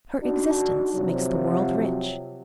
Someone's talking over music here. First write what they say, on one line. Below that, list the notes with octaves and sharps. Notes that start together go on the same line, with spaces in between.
Her existence makes the world rich.
D4 D#4 F#4
C3 F3 F#3